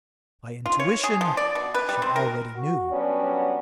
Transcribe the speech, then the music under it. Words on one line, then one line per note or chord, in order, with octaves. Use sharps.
By intuition, she already knew.
F4
C#5
G#4
F3
D5
B2
B4
G3
C4
A#4
F#4
F#3 G3 B3 C#4 D4